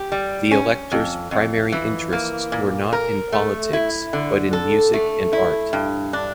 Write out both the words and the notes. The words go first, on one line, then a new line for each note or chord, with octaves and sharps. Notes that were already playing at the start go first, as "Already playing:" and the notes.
The elector's primary interests were not in politics, but in music and art.
Already playing: G4
G3
C#4
F2
F2
E3
A#3
A#2
A#4
A3
E4
D3
A4
A3
E4
G2
D4